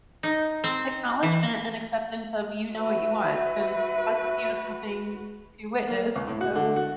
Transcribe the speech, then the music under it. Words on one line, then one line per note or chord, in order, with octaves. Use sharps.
acknowledgment and acceptance of you know what you want, and that's a beautiful thing to witness, so
D#4
C4
E3
F#4 B4 E5
A#3
C#2
A2
F#4
D3
F#4